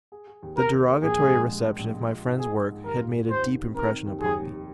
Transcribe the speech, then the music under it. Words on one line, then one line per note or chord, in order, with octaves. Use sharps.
The derogatory reception of my friend's work had made a deep impression upon me.
G#4
G#4
D#2
A#3 A#4
D#2
A#3
A#1 G#4
G#3
A#1
G#3
G#3
A#1
G#3
F4
G#2
G#2 G#4
G#4
G#2
D#2 A#4
F4
F4
D#2 C5
D#3
C4
D#3 A#4
D#3
D#2
D#2 G#4
F1